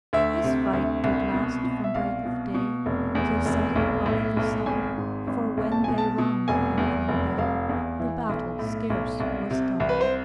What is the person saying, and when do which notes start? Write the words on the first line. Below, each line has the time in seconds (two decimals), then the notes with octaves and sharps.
This fight did last from breake of day Till setting of the sun; For when they rung the evening bell, The battel scarce was done.
0.13 D2 E5
0.44 C3
0.73 D2
1.04 C2
1.34 B2
1.64 B2
1.84 E5
1.94 C2 F5
2.25 B2
2.55 B2
2.86 F1
3.15 E2
3.46 F1
3.75 B1
4.06 A2
4.37 B1
4.66 G#1 G#5
4.98 G#2
5.27 G#1
5.57 B1
5.72 A5
5.84 B2 G#5
5.98 A5
6.18 B2
6.48 F1 G#5
6.78 E2
7.08 F1
7.38 F1 F5
7.69 E2
8.00 E3
8.29 B1
8.59 A2
8.90 B1
9.20 C2
9.51 C3
9.80 C2
9.89 B4
10.01 C5